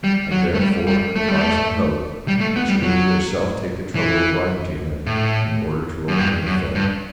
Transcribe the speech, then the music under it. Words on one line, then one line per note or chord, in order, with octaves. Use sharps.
I, therefore, advise and hope, that you will yourself take the trouble of writing to him, in order to open the affair.
G3
F#3
A3
G3
G3
A3
G3
A3
G3
A3
B3
G3
F#3
E3
A2
F#2
G2
F#2
G2